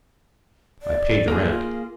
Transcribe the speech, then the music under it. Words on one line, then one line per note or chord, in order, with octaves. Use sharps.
I paid the rent.
D5
A#3 G#4 A4
F4